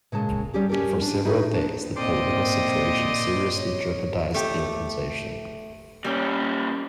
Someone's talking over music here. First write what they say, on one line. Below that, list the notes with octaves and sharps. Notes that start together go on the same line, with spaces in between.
For several days, the political situation seriously jeopardised their position.
A#2 C#3 G#3 A5
G3 C#4 G4 G#4
C#4 G4 A4 A#4
D4
D#4 E4 F#4 G#4 B4
D4
A#2 C4 C5 D5 D#5
C#5
A3 G4
A#2 G3 C#4